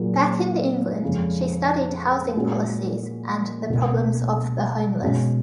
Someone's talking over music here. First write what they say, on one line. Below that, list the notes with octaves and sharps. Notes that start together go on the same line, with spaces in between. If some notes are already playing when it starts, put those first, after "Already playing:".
Back in England, she studied housing policies and the problems of the homeless.
Already playing: A#2 F#3 A#3 F4 G#4
F2 C#3 G#3 C#4
A#2 G#3 C#4 F#4
C#2 B2 A#3
B2 G#3 C#4 F#4